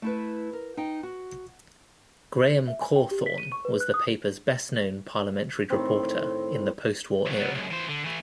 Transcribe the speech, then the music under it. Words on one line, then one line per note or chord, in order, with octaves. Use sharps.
Graham Cawthorne was the paper's best-known Parliamentary reporter in the post-war era.
A3 E4 B4
A#4
D#4 G5
F#4
E5
G#5
G5
G4
B6
D#7
C#6
B4
F#6
D#6
A2 D#3 C4
B1 F#3
F#3 B3
C#2 F#2
E3 C5
D3
E3 A3